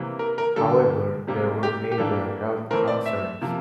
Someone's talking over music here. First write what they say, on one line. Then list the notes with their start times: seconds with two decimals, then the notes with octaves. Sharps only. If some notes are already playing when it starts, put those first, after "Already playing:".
However, there were major health concerns.
Already playing: C3 E3 A#3
0.19 A#4
0.38 A#4
0.56 D3 G3 A#3 A4
1.27 C3 G3 A#3
1.63 G4
1.92 G4
1.98 E3 G3 A#3 D4 A4
2.71 E3 A3 C4 A#4
2.88 D5
3.06 E5
3.41 C3 F3 A#3